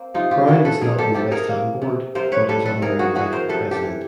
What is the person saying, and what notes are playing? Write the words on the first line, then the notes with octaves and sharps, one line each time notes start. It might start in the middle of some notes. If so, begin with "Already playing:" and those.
Brown is not on the West Ham board but is honorary life president.
Already playing: A#3 C4
C3 D#4 F4
F4 G4
C3 F#4 G#4
A4 B4
C3 G#4 A#4
G4 A4
C3 G4 A4
G#4 A#4
A#3
C3
C3 A#4 C5
B4 C#5
G3 A4 B4
A4 B4
C3 G#4 A#4
F#4 G#4
E3 F#4 G#4
A#4 C5
C3 A4 B4
G4 A4
E3